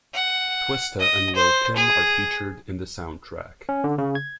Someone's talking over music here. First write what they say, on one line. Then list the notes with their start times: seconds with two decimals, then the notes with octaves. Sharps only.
Twista and Lil' Kim are featured in the soundtrack.
0.14 F#5
0.99 D#5
1.35 C5
1.76 G#4
3.69 C#4
3.84 D3
3.98 C#3
4.15 G#6